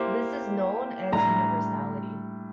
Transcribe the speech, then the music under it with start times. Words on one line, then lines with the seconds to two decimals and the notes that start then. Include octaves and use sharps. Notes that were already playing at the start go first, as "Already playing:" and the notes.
This is known as universality.
Already playing: A#3 E4 G4 C5
1.12 A2 G3 D4 A#5